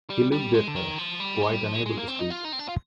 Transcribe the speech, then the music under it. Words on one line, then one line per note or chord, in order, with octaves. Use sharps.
He looked at her, quite unable to speak.
G3
G3
G#3
D3
D#3
F3
G3
G#3
G3
F3
G#3
G#3
A#3
C4
D#4
F4
D#4
C4
D4
F4